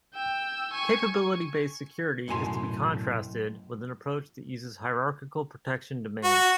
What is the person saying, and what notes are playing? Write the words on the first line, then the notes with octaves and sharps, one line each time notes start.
Capability-based security is to be contrasted with an approach that uses hierarchical protection domains.
G5 E6
G#5 C#6
B1 F#2 A2 G#5 C6
F#4